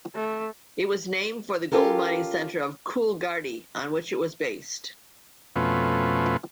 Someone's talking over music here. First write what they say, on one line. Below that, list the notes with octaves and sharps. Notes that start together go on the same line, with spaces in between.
It was named for the gold-mining centre of Coolgardie, on which it was based.
A3
C#4 F4 G4 A4 A#4
F2 B2 A3 C#4 F4 B4